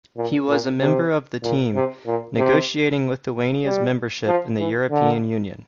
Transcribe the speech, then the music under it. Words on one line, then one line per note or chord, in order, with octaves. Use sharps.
He was a member of the team, negotiating Lithuania's membership in the European Union.
A#2
A#2
C3
A#2
C3
A#2
C3
G3
F3
E3
D3